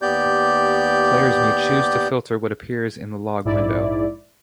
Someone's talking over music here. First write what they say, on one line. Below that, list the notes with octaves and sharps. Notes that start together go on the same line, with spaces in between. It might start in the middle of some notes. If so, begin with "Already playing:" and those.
Players may choose to filter what appears in the log window.
D#2 B3 G4 D5 G6
A#1 G#2 E4 D5